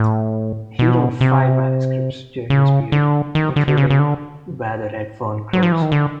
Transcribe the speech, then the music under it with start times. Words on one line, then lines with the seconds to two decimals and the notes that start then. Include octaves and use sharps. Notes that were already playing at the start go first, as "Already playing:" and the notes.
He wrote five manuscripts during this period, including "Where the Red Fern Grows".
Already playing: A2
0.79 B2
1.21 C3
2.50 C#3
2.92 D3
3.35 D#3
3.56 D3
3.68 D3
3.78 C#3
3.90 C#3
3.99 D3
5.53 F#3
5.63 F3
5.72 E3
5.82 D#3
5.92 D3